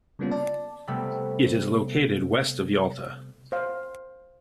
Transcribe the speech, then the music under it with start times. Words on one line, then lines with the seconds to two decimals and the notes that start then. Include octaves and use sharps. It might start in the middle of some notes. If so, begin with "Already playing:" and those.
It is located west of Yalta.
0.19 C#3 G3 A#3 B3 C#4 F4
0.31 D5 A5
0.87 C3 G3 A3 B3
3.52 C5 F5